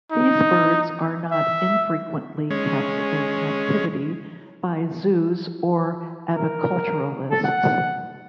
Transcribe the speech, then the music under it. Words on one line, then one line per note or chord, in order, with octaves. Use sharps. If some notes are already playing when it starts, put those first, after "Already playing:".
These birds are not infrequently kept in captivity by zoos or aviculturalists.
D#4
E5
G#3 C#4
A#4
A4
F#5